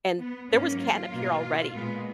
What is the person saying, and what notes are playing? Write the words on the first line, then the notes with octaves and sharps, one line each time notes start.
and there was catnip here already
B3
G#2 F#3 A#3 C#4
F4
B2 A#3
A#2 G#3 B3